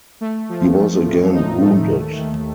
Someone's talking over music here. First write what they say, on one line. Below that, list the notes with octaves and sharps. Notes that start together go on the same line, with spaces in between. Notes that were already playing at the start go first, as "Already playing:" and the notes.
He was again wounded.
A3
F3
A3
A2
D#4
A3
D#2
D#3